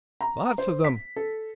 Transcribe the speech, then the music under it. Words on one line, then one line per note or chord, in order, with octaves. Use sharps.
Lots of them.
A#5
C5
B6
A4